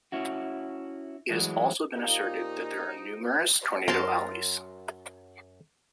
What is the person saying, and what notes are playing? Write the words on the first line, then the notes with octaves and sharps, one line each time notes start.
It has also been asserted that there are numerous Tornado Alleys.
C#4 E4 F#4
E3 F#3 G#3 A3
A#2 F3 D#4 G4
F#2 F#3 A#4 A5 C6